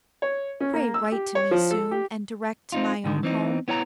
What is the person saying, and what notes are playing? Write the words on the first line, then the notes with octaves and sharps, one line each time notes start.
Pray write to me soon, and direct to my own home.
C#5
C#4
A#3
E6
G4
C#5
F3
A4
G4
C4 D#4 F4
G#2 D3 D#3
E3 C4 D#4
B3 E4 C#5 G5 A#5